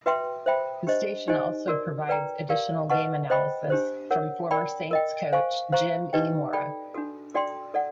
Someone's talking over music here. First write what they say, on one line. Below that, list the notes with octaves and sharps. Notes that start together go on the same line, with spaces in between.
The station also provides additional game analysis from former Saints coach Jim E. Mora.
F#4 B4 E5 G5 C6
C5 E5 G5 B5
D4 G4 C5 D#5
D#4 G4 C5 D#5 G#5
F#4 A#4 D5
B4 D5 G5 A#5
G4 A#4 D5 F5
B4 D#5 F#5 A5 C#6
C5 D#5 G5 B5
D4 G4 C5
A#4 C#5 F#5
A#4 D5 G5 B5
A#4 D#5 G5
C5 F5 G#5 C#6
C5 F5 A#5 C#6
D#4 G4 B4 D#5 G5
A4 D5 G5 B5
D4 F#4 A4
F#4 A4 D5 G5 C6
A4 D5 F#5